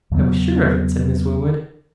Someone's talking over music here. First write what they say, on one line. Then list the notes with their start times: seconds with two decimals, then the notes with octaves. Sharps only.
"I was sure of it," said Miss Winwood.
0.11 E2 C#3 F#3 B3